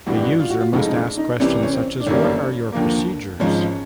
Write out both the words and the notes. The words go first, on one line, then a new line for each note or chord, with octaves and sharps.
The user must ask questions such as, What are your procedures?
G#1 G2 E3 G3 F#4
G4
F#4
F4
F#4
F4
F1 F2 C#3 F3 G#3 D#4
D#4
D4
D#4
C2 C3 E3 G3 C#4
C#4
C4
D4
G1 F#2 D#3 G3 A#3 C#4
D#2 D3 F3 A#3
G#1 G#2 F3 G#3 C#4